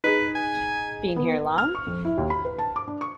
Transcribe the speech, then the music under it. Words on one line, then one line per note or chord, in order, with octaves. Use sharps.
Been here long?
D#4 G#4 B4
G#5
B3
F6
C#6
F2
E4
D#2
B5
B4
A5
D6
D4
C#6